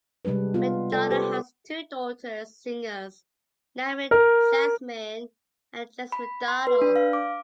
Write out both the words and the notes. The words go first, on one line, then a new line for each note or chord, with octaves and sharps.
McDonald has two daughters, singers Naomi Jasmine and Jess McDonald.
C3 G3 G#3 D4 B4
B3 F4
A4 D5
G4 B4 C5
A#4
B5
C6
B4
D4
F5
D6